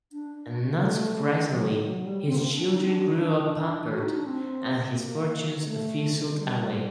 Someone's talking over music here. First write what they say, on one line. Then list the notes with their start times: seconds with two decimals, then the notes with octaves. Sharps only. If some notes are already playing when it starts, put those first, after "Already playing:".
Not surprisingly, his children grew up pampered, and his fortunes fizzled away.
0.12 D4
0.80 A3
1.50 F#3
1.67 D#3
1.85 F#3
2.02 G3
2.26 C4
2.36 A#3
2.53 D4
2.71 D#4
2.83 C4
2.88 D4
3.92 F#4
4.03 D#4
4.14 D4
4.26 C4
4.95 A#3
5.65 A3
6.34 G3